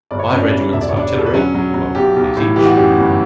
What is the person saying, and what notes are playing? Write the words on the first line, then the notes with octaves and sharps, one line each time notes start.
Five regiments artillery, twelve companies each.
G1 D5
C#5
B4
G2 C#4 C#5
D4 D5
G1
E1 E5
D5
C#5
E1 D4 D5
D3
A4
B4
F#3 C#4 C#5
F#3
F#3
B1 G4
B1
A2
E3 G4
F#4
F#2 G4
G1